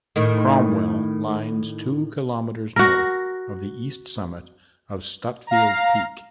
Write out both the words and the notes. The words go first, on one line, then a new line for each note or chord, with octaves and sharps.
Cromwell lines two kilometers north of the east summit of Stutfield Peak.
A2 D#3
F#4 A#4
F5 A#5